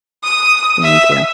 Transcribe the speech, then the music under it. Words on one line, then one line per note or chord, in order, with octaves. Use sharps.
Thank you.
D#6
E5